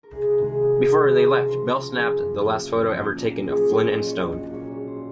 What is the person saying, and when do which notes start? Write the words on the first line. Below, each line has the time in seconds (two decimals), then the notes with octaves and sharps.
Before they left, Bell snapped the last photo ever taken of Flynn and Stone.
0.03 A#4
0.13 C2 G#4
0.29 F#4
0.38 C3 D#3 G#3
0.46 G#4
0.63 C2 A#4
0.76 G#4
0.89 C3 D#3 G#3 A#4
1.01 G#4
1.14 C#2 A#4
1.31 C5
1.40 C#3 F3 C4
1.48 C5
1.65 C#2 A#4
1.91 C#3 F3 C4 G#4
2.16 F#2
2.39 F3 A#3 C#4 F4
2.67 F#2
2.93 F3 A#3 C#4 F4
3.17 A#2 A#4
3.44 F#3 C#4 F4 G#4
3.59 C#5
3.68 A#2 C5
3.81 C#5
3.94 F#3 C#4 F4 D#5
4.08 C#5
4.19 A#1 C#5
4.37 F#4
4.45 A#2 F#3 A#3 C#4
4.54 C#5
4.71 A#1 C#5
4.87 C5
4.96 A#2